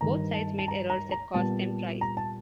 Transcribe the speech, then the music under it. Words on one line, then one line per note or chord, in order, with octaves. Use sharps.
Both sides made errors that cost them tries.
G2 D#3 G3 A#5
A5
A5
A#5
A#5
A#5
A#2 G3 B3 A5
A#5
A5